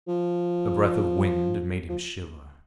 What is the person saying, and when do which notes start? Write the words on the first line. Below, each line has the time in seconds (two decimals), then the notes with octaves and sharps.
A breath of wind made him shiver.
0.08 F3
1.89 F3